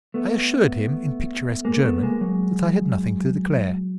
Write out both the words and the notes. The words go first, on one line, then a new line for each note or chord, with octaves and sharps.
I assured him in picturesque German that I had nothing to declare.
A3 B3
G#3 A#3
A3 B3
G#3 A#3
F#3 G#3